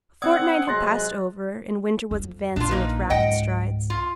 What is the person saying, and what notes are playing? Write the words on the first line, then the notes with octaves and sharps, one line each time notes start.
A fortnight had passed over and winter was advancing with rapid strides.
C4 D5 F#5 D#6 E6 G#6
C3 F#3 G#3 C6 F#6 A6 A#6
F2
A#1 A#2 D4 F4
A#3 D#4 B4
C#2 G#2 D#5 F#5 G5
F4